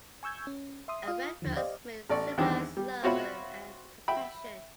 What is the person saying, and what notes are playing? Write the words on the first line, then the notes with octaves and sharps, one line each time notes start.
A red rose may symbolize love and compassion.
G#5 C#6 E6 G6 G#6
C#4
E5 C6 D#6
F4 F5 D#6
D#2 D3 D#3 F3
G4 C5 D5 D#5 F5
A1 D5 C#6
E2 D#3 E3 G3 C4 D4
G3
C4 F4 F#4 C#5 E5 B5
E5 G5 B5